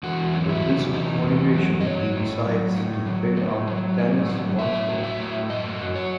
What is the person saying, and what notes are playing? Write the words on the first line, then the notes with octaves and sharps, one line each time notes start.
With this motivation, he decides to pick up tennis once more.
E2 F#4
F#3
E4
C3
E2 D#4
E2
F#3
D#5
F#3 C#5
A2
F#3
A2
F#3
A2
F#3
A2
F#3
A2 E5
F#3
E5
A2
F#2 D#5
F#3
C#5